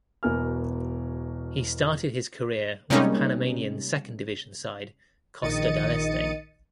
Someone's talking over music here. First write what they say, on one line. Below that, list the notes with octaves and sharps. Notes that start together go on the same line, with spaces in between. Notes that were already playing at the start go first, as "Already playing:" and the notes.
He started his career with Panamanian second division side Costa del Este.
E1 B2 B3 A#4 G#5 F6
C3 G3 G#3 A#3 C#4 D#4
A#1 D#3 D#5 A6 C#7 D#7